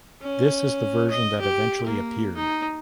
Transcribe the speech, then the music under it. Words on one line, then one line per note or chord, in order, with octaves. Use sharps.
This is the version that eventually appeared.
C#4
D#5
G4
A#3
D#4